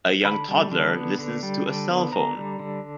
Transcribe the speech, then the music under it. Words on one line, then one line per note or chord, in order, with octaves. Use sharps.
A young toddler listens to a cellphone.
D3 B5
G3
D3
B3
D3
G3
D3
B3
D3 A#5
G3
D3